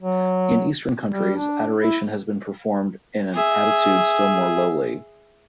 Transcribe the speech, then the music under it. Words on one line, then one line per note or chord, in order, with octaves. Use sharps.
In Eastern countries, adoration has been performed in an attitude still more lowly.
F#3
G3
D4
E4
G#4 E5